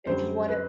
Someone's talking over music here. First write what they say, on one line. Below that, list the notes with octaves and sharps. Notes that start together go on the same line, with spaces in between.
if you want a
F#2 D3 G3 C5
B4